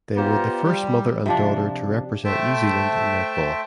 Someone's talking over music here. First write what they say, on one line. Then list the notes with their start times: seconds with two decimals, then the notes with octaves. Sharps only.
They were the first mother and daughter to represent New Zealand in netball.
0.16 B3 F4 G4 C5 D5 A#5
0.64 G3
1.26 C3 F3 D4
2.25 A3 C5 E5 G5 A5